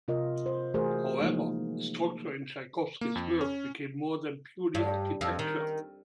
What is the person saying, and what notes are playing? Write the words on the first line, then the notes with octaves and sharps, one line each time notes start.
However, structure in Tchaikovsky's work became more than purely architecture.
C3 F4 A#4 D#5
C5
E3 A3 F#4 G#4 A#4 C5
E3 F3 G#3 A#3 D#4
A#3
F2
C#4
G2
F2
D#3